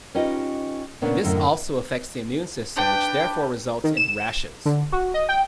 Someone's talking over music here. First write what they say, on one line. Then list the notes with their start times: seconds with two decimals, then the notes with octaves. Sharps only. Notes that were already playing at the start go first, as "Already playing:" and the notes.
This also affects the immune system which therefore results in rashes.
0.15 C#4 D#4 F4 G4 B4 D#5
1.01 A#2 C#3 B3 C#4 D4
1.23 F#2 A2 D3 D#3 A3
2.76 D4 G4 B4 G5
3.84 D#3
3.97 E7
4.66 D3
4.92 F#4
5.14 D#5
5.29 G5